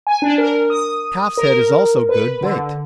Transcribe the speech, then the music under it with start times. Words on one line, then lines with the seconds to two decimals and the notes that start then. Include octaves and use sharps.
Calf's head is also good, baked.
0.07 G#5
0.22 D4
0.38 A#4
0.70 D#6
1.37 A#4
2.09 B4
2.41 D3